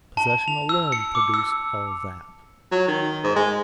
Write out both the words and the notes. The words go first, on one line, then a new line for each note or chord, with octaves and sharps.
Possession alone produced all that.
A5
F7
E6
C#7
D6
E6
F#3
D#3
G#2
G#3